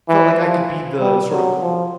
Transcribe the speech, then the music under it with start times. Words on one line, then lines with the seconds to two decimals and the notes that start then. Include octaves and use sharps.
felt like I could be the, sort of,
0.08 E3
0.39 F3
0.99 G3
1.31 F#3
1.61 F3